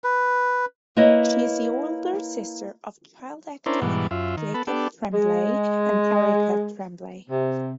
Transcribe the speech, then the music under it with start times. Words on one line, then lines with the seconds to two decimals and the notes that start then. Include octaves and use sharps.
She is the older sister of child actor Jacob Tremblay and Erica Tremblay.
0.04 B4
0.97 A#3 E4 B4 C#5 D#5
3.66 C#4 D4 E4 A#4 C5
3.82 G#2 B2 E3 G3
4.11 F#2 F4 E5
4.37 D#3
4.54 B3 A4 B5
4.67 B3 D4 G4 A4
5.13 G#3
7.29 C3